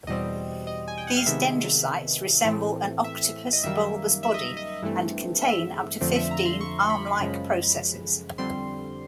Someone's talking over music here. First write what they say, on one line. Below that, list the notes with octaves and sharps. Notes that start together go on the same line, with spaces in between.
These dendrocytes resemble an octopus bulbous body and contain up to fifteen arm-like processes.
E2 B2 G3 C4 D#5
D#5
G#5
G5
F#5
F5
C3 D#3 G#3 B3 E5
A2 E3 A3 C4
E5
D#5
F#2 D#3 G3 A#3 E5
E5
D#5
D#5
G2 E3 A3 C4
E5
F2 D3 F3 A3 C4
E5
A#5
C6
C#6
C6
B5
F#2 C#3 F3 G#3
F2 D3 G3 C4 C6